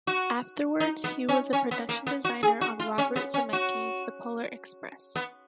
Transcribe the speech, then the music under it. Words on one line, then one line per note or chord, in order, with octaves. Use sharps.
Afterwards, he was a production designer on Robert Zemeckis' "The Polar Express".
F#4
D#4
B3
C#4
C#4
B3
A#3
B3
F#4
G#4
F#4
F4
C#4
B3
C#4
F#4
B3